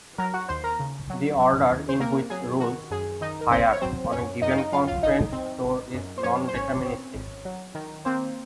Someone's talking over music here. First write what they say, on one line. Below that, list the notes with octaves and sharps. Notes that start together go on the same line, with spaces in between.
The order in which rules "fire" on a given constraint store is non-deterministic.
F#3 A#4 A#5
F#4 F#5
D#2 C5 C6
A#4 A#5
C#3
F#3
F#3
D#2
C5
A#3 C4 A#4
F#3 G#4
D#3 F#4
F#2 G#4
D#3 D#4 D#5
A#4
G#1 C4 C5
C#5
F#3 C4 C5
F#2 C#4 C#5
F#2 D#4 D#5
F5
D#4 D#5
F#3 F4 F5
F4 F5
G#1 D#4 D#5
C4
G#1
F#2
C5
F#2 C#4 C#5
C5
G#1 C#4 C#5
C4
G#1
F#3
D#3
A#3 C4 C5